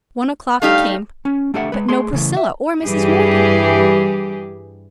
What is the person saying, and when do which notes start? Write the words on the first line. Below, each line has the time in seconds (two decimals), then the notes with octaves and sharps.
One o'clock came . . . but no Priscilla or Mrs. Morgan.
0.62 G3 A3 D#4 G4 F5
1.25 C#4
1.54 A3 D4 G4 A4 E5 F#5
1.72 G#3 B4
1.89 A3 G#4 C6
2.13 C#3 E3 A3
2.37 E5
2.82 G2 E3 G3 G4 G#4